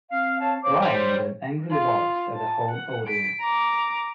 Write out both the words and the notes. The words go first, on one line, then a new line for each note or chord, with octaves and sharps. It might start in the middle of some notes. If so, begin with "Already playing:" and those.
Brian then angrily barks at the home audience.
C4 F5
C#5 F5 A5
A#3 C5 C#5 D6
G3 C5
F4
A5
F#5
B6 D7
A#5 D6